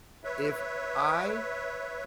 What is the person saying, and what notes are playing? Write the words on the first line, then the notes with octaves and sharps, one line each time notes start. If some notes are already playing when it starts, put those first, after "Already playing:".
If I
B4 C#5 E5